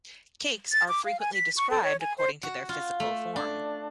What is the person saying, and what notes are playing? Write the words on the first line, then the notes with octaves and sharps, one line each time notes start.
Cakes are frequently described according to their physical form.
A6
D6
F5
G#5
B6
C#6
A4
C#5
G#5
C5
F#4
F4
A3
D4